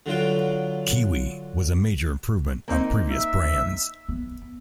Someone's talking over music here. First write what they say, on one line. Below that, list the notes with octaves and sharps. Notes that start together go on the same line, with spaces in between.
Kiwi was a major improvement on previous brands.
D3 F#3 F4 G5
A#3 C4 D#4
E5
B3